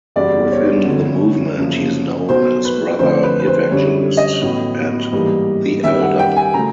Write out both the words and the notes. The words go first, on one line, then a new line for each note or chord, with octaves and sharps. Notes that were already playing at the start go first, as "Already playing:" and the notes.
Within the movement, he is known as "Brother Evangelist" and "the Elder".
F#1 E2 B2 G3 B3 D5
C#5
G1 F#2 D3 F#3
F#2 C#3 F3 A#3
B1 B2 F#3 C5
B4
F2 D3 F3 A3 C#4 C5
B4
B4
C5
F#2 D3 G3 C#5
D#5
A1 A2 F#3 B3
G#2 E3 G3 A#3
F#2 D#3 G3 E5
F#5
G5
G#5
C#3 F#3 A3 A#5